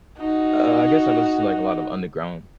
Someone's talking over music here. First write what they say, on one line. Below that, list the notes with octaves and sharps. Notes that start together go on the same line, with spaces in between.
Uh, I guess I listen to, like, a lot of underground
D#4 F#4